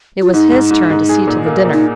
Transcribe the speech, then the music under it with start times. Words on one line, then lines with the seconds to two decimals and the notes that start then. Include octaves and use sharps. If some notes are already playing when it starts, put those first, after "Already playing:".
It was his turn to see to the dinner.
0.22 F4
0.33 G#2 D#4
0.52 G#2
0.71 G#2
0.90 G#2
1.09 G#4
1.27 A#2
1.46 A#3
1.65 A#2
1.73 D#4